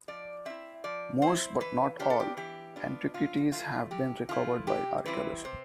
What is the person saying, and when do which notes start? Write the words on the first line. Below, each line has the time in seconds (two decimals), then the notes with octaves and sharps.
Most, but not all, antiquities have been recovered by archaeology.
0.08 F3 D5
0.45 C4 E4 E5
0.84 F3 D5
1.22 C4 C5
1.27 E4
1.60 E3 B4
1.99 B3 D4 F4 G4
2.10 A4
2.20 G4
2.37 E3 G4
2.76 B3 D4 F4
3.14 A2 F4
3.52 F3 A3 E4 F4
3.91 A2 G4
4.29 F3 A3 E4 F4
4.67 C3 G4
5.06 E3 G3 C4 E4 B4
5.44 C3 C5